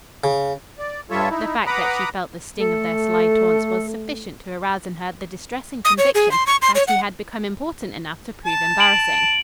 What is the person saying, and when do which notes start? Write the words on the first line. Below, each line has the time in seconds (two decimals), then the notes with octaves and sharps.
The fact that she felt the sting of their sly taunts was sufficient to arouse in her the distressing conviction that he had become important enough to prove embarrassing.
0.24 C#3
0.78 D5
1.10 G2 G3 F4 A4 C#5 E5
1.31 D#4 E4
1.66 B4 F#5 A#5 B5 D6 D#6
2.59 A3 A4
5.85 D#6
5.98 C#5
6.15 G#4
6.32 C6
6.47 C#6
6.62 C6
6.75 C#5
6.88 F#5
8.46 A5
8.80 D7 F#7